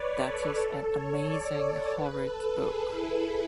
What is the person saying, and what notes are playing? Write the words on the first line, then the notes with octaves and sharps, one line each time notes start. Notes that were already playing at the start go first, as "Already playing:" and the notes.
That is an amazing horrid book.
Already playing: B4 C#5 D5
A4
A4
C#5
D5
C#5
B4
A4
G#4
E4